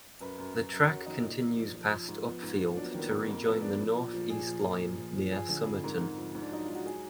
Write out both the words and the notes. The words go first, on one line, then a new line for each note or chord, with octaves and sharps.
The track continues past Upfield to rejoin the North East line near Somerton.
F#2 B4
F#2
F#2
F#2 A#4
F#3 F#4
D#3 D#4
A#2
A#2
F3
F3
F3
G#2
F3 B3
G#2
F3
F#3 D4
B3
A#3
D#3 B3
G#2
F2 A#3
F3 B3
F3 D4
F3
A#2
F3
A#2 G#4
F3
A#2
F3
F3
F3
F3 G#4
D3
F2
G#2 A#4
G#2
F3
G#2
D4
F#3 D#4
G#2 F4
F#4
F#3 G#4